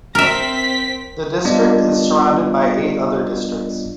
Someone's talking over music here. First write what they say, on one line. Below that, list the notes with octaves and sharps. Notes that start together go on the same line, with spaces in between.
The district is surrounded by eight other districts.
C4 A#4 E5 B6
G3 B3 D4 F4 D5 D#5